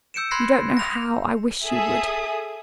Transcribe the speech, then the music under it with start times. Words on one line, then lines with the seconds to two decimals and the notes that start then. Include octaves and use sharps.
'You don't know how I wish you would.
0.14 E6 G6 C#7 D7 E7
0.31 B5 C6 F#6 G#6 A#6 C7
0.77 A#6 F7
1.65 G#4 A4 E5 D#6